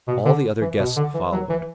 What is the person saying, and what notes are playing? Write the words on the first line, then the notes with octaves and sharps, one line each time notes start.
All the other guests followed.
B2
D3
E3
B2
D3
E3
F#3
E3